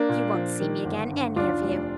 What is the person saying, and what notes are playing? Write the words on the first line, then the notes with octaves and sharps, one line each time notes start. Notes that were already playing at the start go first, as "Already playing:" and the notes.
You won't see me again, any of you.
Already playing: A#3 D4
A#2
F3
D#3
G1
G2
D#2 D4 F4
F1